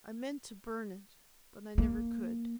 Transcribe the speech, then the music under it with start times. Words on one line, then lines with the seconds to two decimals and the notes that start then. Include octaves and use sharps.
I meant--to burn it--but I never could.
1.78 A#3